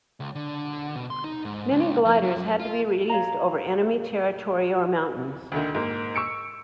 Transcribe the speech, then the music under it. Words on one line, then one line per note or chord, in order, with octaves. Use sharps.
Many gliders had to be released over enemy territory or mountains.
C#2
D3
B2
C6
D#4
G#2
C#2
F2
F#2
F4
C#5 F5 A#5
D2 D3 D#3
G#2 A#3
C#6 E6 C#7 D7